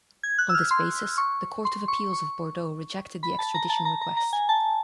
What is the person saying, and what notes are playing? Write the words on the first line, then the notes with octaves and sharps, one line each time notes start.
On this basis, the court of appeals of Bordeaux rejected the extradition request.
G#6
F#6
E6
F6
C6
C#6
C6
C#6
C#6
B5
A5
A#5
A5
A#5
A#5
A#5
G#5
A5